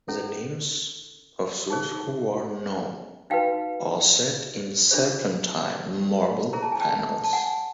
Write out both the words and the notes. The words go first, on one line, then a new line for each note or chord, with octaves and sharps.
The names of those who are known are set in serpentine marble panels.
C#4 E4 A4
D#4 G#4 C5
D#4 F#4 B4 F5 G5
D4 F4 G#4 C5
E4 G#4 C5 A#5
A5
G#5
G5 A5
A5
F#5 G#5